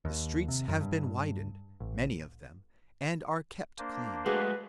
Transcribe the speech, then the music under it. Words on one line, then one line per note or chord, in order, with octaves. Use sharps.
The streets have been widened, many of them, and are kept clean.
D#2
C3
F#2
G2
A1
A#3 D4 C5
G#3 A3 F#4 G#4 B4